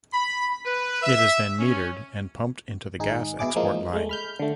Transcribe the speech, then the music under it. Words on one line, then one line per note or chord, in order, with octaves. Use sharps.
It is then metered and pumped into the gas export line.
B5
B4
E5
C#4
G#1 D#4 G#4
B2 E4 G#4 D6
E3 F3 G#3 A#3 D#4 F4
G#3 A3
B5 F6 G6
D3 A3